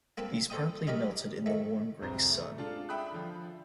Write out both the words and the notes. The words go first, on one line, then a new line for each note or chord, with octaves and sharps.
These promptly melted in the warm Greek sun.
A#3 C4 B4 A5
A4 C5 D5 G5 D#6
C#4 D#4 G4 A#4 B4 D5
D#3 A3
D1 C2 F2 C5 A#5
A3
G#3 D4 F4 A4 F5
E5 G5 B5 D#6 F#6
D3 F3